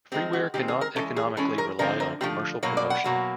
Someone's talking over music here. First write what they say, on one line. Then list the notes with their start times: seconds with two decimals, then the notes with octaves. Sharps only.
Freeware cannot economically rely on commercial promotion.
0.12 D#3 G#3 C4 G4
0.33 F#4
0.54 D#3 G#3 C4 G4
0.68 G#4
0.81 A#4
0.96 E3 G#3 C#4 A4
1.16 G#4
1.37 E3 G#3 C#4 A4
1.58 A#4
1.79 D3 F3 A3 C4 A#4
2.00 A#4
2.21 D3 F3 A3 C4 G4
2.63 B2 F#3 A#3 C#5
2.77 D5
2.90 F#5
3.04 B2 F#3 A#3